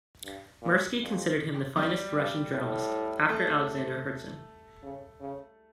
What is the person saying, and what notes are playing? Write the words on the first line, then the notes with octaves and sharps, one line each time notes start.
Mirsky considered him the finest Russian journalist, after Alexander Herzen.
G2
A#2
F2
G3 G4
G2
A2
A3 A4
C#3
C#3